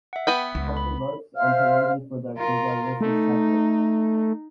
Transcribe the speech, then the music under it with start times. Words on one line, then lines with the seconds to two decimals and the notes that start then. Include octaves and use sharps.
Shorter works and television productions are listed separately.
0.13 E5 F#5
0.27 B3 B4 G5
0.55 C#2 F4
0.77 B5
1.36 C5 E5 F5 F6
2.38 F4 A#4
3.01 A3 D#4